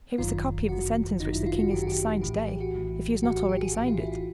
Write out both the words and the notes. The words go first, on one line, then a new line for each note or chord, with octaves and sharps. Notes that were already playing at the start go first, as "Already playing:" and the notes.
"Here is a copy of the sentence which the king is to sign to-day, if he has not already signed it."
G1 F#2 D#3 F4
G1 F#2 D#3 F#4
G1 F#2 D#3 D#4
E4
F4
F#4
G1 F#2 D#3 G4
F#4
G4
A#1 A2 E3 G4
G#4
G4
F#4
A#1 A2 E3
A#1 A2 E3 F#4
F#4
G4
G#4
A#1 A2 E3 G4
F4
E4
F4